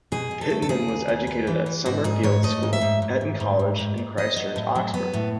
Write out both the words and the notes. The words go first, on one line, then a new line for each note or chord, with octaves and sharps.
Pitman was educated at Summer Fields School, Eton College and Christ Church, Oxford.
B2 G#4
B2
A4
A3
A4
C#3 G#4
D#2
D#2
B3
E3
E3
G#2 F#4
G#2 G#4
G#2 C#5
A3 D#5
G#2
E5
G#2
G#2
G#2
G#2
G#2
G#2
G#2
B3 D#5
F#3
A2
F#3
B3
A2